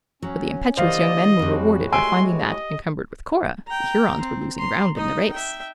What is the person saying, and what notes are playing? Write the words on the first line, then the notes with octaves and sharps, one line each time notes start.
But the impetuous young men were rewarded by finding that, encumbered with Cora, the Hurons were losing ground in the race.
F#3 C#4
D3 E3 G3 A#3 C5 D5 D#5 F5
F2 A2 G3 G#3 F#4
G4 G#5 C6 E6 D7
D#5
G5 A#5
C4
A#5 C6
D#4 D#5
E5 G5